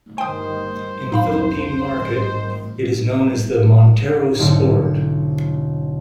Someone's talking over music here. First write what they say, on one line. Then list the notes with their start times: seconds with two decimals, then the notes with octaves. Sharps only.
In Philippine Market, it is known as the Montero Sport.
0.18 G2 D#3 C5 G5 D#6
1.12 C2 F2 D#4 F5 B5
1.92 G#1 D#3
4.39 B1 G#2 D3 C4 E4 C#7